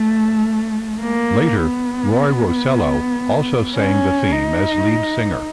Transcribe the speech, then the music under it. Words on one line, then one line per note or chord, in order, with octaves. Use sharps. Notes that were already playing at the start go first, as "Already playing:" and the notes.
Later, Roy Rosello also sang the theme as lead singer.
Already playing: A3
A#3
B3
C#4
D#4